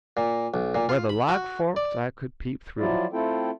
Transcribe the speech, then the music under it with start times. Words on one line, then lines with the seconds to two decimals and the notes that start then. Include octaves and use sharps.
Where the log forked I could peep through.
0.17 A#2
0.54 B1
0.75 A#2
0.89 F4
1.09 B5
1.29 F#4
1.76 D5
2.79 F3 F#3 E4 F4 D5
3.13 A3 C4 E4 F4 A4 G5